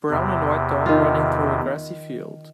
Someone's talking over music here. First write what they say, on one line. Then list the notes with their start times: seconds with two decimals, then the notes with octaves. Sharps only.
Brown and white dog running through a grassy field.
0.10 E2 C3
0.86 D#3 F4